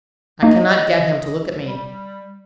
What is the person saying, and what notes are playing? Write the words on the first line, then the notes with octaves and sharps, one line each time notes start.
"I cannot get him to look at me."
A#3 D#4 D#5
G3